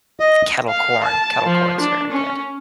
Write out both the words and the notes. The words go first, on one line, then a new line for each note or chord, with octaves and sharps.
kettle corn, kettle corn's very good.
D#5
F5
A5
F3
D4
C#4